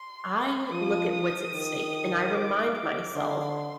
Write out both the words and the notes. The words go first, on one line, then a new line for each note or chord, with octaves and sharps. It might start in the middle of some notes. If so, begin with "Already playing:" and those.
I look at what's at stake, and I remind myself
Already playing: C6
F3 D#6
D#6
D#3
D6
D6
D3 C6